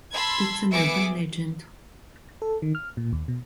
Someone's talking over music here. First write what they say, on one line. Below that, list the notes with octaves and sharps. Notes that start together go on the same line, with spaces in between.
It’s an urban legend.
A5 B5 C6 E6 G#6
B3 G#4 E5 D6 C#7 D7
A4
D#3
F6
A#2
D#2
B2